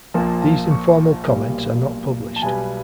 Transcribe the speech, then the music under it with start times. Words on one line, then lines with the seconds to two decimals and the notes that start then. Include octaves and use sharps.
These informal comments are not published.
0.14 A#1 A#2 F3 A#3 A5
0.42 A5
0.71 C#6
1.28 B1 A#2 G3 A#3
2.36 A5
2.42 B1 B2 G3 B3 G#5